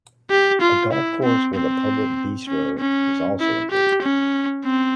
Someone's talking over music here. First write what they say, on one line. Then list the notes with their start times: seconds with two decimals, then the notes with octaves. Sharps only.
A golf course with a public bistro is also included.
0.30 G4
0.61 F4
0.92 E4
1.23 C4
1.54 C4
2.47 C#4
2.78 C#4
3.40 E4
3.71 G4
4.02 C#4
4.65 C4